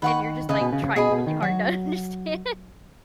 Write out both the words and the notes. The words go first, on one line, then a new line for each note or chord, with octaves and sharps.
and you're just, like, trying really hard to understand.
D#3 B4 F#5 C#6
C#3 B4 D#5 G#5
B2
C#3
C#3
B2 G#4 D#5 G#5 B5
B2
D#3
F#3 F#4